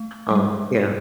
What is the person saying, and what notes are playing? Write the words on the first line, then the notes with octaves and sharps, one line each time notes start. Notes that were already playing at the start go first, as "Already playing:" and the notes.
Uh, yeah.
Already playing: A3
G3
G#3